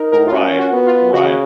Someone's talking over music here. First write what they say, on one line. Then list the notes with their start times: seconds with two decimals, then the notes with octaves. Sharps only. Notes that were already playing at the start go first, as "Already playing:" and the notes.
Right, right.
Already playing: D#4 A#4
0.12 A#4
0.27 F4
0.32 C#4 F#4
0.59 F#4
0.73 B3
0.87 F4
1.13 C#3 F#4